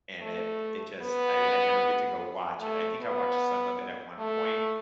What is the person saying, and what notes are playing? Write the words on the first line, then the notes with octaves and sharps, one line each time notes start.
and it it just I I never get to go watch it, I think I watched some of it at one point,
A3
B3
A3
B3
A3